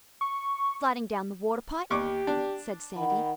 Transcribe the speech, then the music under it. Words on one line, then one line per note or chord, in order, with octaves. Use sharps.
"Sliding down the water pipe," said Sandy.
C#6
D#2 G4 C#6 D6
D4
D#3 F#5 B5